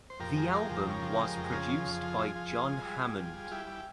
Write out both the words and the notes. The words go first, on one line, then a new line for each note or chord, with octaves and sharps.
The album was produced by John Hammond.
C5
F2 G4 A#4
G#3
F3 G4 A#4
F2
C#3
F3
G#3
F2
C#3 F4 G#4
F3
F2
F3
F3
F3
G#3
G#3
G3
G3
G3
G3
G3 E4 G4
G3